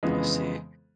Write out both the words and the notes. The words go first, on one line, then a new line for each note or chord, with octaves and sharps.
I see.
F2 C#3 E3 G#3 B3